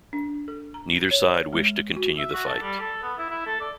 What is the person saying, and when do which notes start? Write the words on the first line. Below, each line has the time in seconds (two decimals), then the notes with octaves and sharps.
Neither side wished to continue the fight.
0.13 D4
0.48 A4
0.74 A#5
1.11 C#5
1.53 G#3
1.97 F#4
2.18 E5
2.33 F#4
2.46 A4
2.62 G3
2.80 A4
3.03 B3
3.18 E4
3.29 E4
3.46 A4
3.61 D5